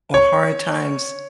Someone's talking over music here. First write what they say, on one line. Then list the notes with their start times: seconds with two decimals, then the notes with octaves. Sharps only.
or hard times
0.14 C#5